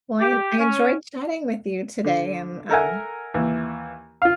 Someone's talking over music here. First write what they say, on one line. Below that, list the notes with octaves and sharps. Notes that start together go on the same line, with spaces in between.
Well, I I enjoyed chatting with you today and, um,
G4
C#4
D3
A4 A#4 E5 F#5 G#5
D#2 E3
F4 F5